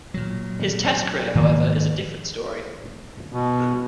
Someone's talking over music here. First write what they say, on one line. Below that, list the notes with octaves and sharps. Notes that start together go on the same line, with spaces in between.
His test career however, is a different story.
A#2 F#3
G#2 D#3 F3 A#3
B2